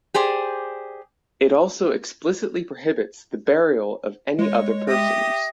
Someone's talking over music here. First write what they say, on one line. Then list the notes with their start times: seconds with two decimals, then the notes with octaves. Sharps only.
It also explicitly prohibits the burial of any other persons.
0.14 G4 G#4 C5 D5
4.39 G#3 C#5
4.88 G4 E5 D#6 A#6